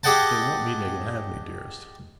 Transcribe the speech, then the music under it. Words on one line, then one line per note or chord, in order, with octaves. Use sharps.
'If they want me they can have me, dearest.
G4 G#4 D#5 F#5 G5 A5